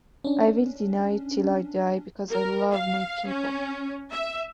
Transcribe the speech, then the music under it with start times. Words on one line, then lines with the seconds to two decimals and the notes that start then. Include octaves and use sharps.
I will deny it till I die because I love my people.
0.24 C#4 D4
2.30 A#4
2.72 F5
3.26 C#4
4.11 E5